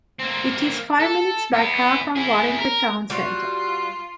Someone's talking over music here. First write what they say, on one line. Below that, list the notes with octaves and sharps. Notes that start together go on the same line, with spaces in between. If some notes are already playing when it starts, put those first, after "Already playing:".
It is five minutes by car from Warrington town centre.
A#3 C4
A4
B3 E4
E4 G#4
A#4
G3 F4 F#4